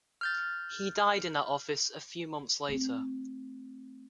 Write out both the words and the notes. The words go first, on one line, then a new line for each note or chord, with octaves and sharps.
He died in that office a few months later.
F6 G6 A6
A3 C4